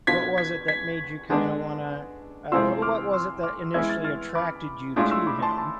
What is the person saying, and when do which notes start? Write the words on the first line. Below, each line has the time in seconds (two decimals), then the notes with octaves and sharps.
What was it that made you kinda wanna, uh, wh wha what was it that initially attracted you to him?
0.07 B2 B3 D4 F4 G#6 B6
0.38 G#6 B6
0.68 G#6 B6
1.30 D3 G#3 B3 D4
2.52 C3 E3 G#3 C4 F4 C6 E6
2.82 D6 F6
3.13 C6 E6
3.43 D6 F6
3.74 E3 G#3 B3 E4 E6 G#6
3.89 F6 A6
4.04 F6 A6
4.35 B5 D6
4.96 A2 G#3 D4 F4 C6 E6
5.11 C6 E6
5.27 B5 D6
5.42 A5 C6
5.57 A5 C6